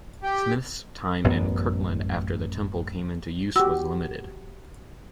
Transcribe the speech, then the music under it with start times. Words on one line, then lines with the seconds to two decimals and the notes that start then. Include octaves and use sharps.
Smith's time in Kirtland after the temple came into use was limited.
0.23 G4
1.24 A1 F#2 B3
3.56 F#4 G4 E6